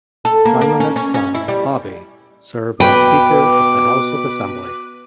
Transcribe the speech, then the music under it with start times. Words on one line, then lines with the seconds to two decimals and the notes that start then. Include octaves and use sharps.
Symonette's son Bobby served as Speaker of the House of Assembly.
0.25 A4
0.45 A#3
0.61 A#3
0.80 C#4
0.96 C#4
1.14 C#4
1.35 E4
1.48 G3
2.80 B2 B4 G5 D6